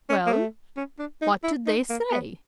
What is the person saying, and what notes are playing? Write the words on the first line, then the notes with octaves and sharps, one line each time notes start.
"Well, what did they say?"
C#4
A#3
A3
C#4
D4
D#4
E4
D#4
A#3
B3